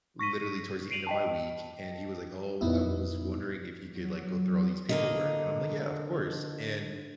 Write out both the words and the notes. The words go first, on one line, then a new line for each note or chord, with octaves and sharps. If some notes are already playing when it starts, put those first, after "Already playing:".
literally towards the end of my week. And he was like, "Oh, I was wondering if you could, like, go through all these paperwork?" And I'm like, "Yeah, of course." And,
C#6 A#6 B6 D#7
C7 D7 D#7 F7 F#7
D#5 G5 A5
F2 A#2 B3 D#4 E4
F#3
D3 A#3 D#5